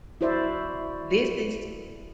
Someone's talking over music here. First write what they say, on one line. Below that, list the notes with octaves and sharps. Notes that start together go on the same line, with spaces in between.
This is"
E4 F#4 C5 D5 E5